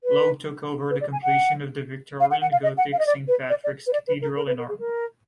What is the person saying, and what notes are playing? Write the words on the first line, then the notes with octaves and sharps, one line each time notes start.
Logue took over the completion of the Victorian gothic Saint Patrick's Cathedral in Armagh.
B4
B4
D5
G#5
F#5
F5
F#5
F#5
F5
D#5
F#5
F5
D#5
D5
B4
D5
D5
B4
D5
B4
A#4
A#4
B4
A#4
G#4
A#4